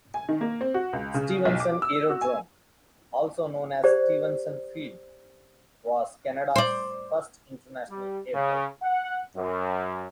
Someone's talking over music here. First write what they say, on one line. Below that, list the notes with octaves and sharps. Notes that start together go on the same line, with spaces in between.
Stevenson Aerodrome, also known as Stevenson Field, was Canada's first international airport.
G#5
D#3
A#3
C4
F#4
C#2
C#3
B1
D6
E6
F#4
G#5
G4 C5 D5
C5 D5
G3
C#3
F#5
F#2